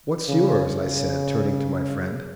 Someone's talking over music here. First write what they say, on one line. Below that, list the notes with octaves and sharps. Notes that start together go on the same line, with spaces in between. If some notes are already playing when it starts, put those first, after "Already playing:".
"What's yours?" I said, turning to my friend.
C#3
C#3